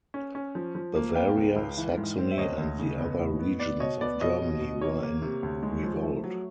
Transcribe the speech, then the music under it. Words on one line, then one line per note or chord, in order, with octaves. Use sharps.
Bavaria, Saxony, and the other regions of Germany were in revolt.
C#4
C#4
F3
F3
A#3
B3 F5 G5
C#2
C#2
E3
G#2
C4
E5
D2 C#5 D#5
D2
C#3
B3
A2
B3
B3 D5
B2 C#5 D#5
B3 D5
B2 C#5 D#5
B2
B2
A#3 C#5
A#3
C3
D2
G#3
F3
A3
F#3